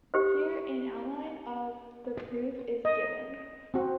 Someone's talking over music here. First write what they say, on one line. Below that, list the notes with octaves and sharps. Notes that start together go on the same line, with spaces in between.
Here an outline of the proof is given.
G4 C5
D#5
C4 F#4